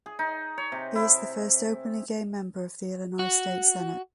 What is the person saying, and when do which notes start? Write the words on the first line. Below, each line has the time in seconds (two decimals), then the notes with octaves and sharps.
He is the first openly gay member of the Illinois State Senate.
0.06 G#4
0.19 D#4
0.58 C#5
0.72 C3
0.95 E4
3.19 F#4